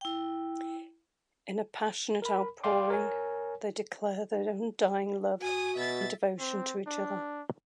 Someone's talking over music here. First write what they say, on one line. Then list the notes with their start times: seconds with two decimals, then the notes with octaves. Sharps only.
In a passionate outpouring they declare their undying love and devotion to each other.
0.01 E4 G5
2.22 A#4 B5
2.64 D5 F5 G5 C6 D6
2.90 A#4 C#5 G#5
5.41 F#4 G#5 D#6
5.76 B2 E5 A6
6.40 C4
6.87 D4